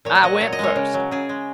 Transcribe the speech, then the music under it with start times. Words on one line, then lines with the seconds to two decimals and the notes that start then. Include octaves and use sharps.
I went first.
0.05 A#2 C#5
0.15 F#5
0.23 F#3 D#5
0.40 A#2 C#5
0.53 D#5
0.59 G#3 C#5
0.76 C#3
0.94 F#3
1.11 C#3 G#4
1.29 G#3